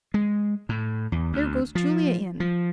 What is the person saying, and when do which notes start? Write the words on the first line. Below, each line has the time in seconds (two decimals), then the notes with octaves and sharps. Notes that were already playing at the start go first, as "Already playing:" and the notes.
There goes Julia in.
0.14 G#3
0.69 A2
1.12 E2
1.33 D2
1.75 F3
2.40 F3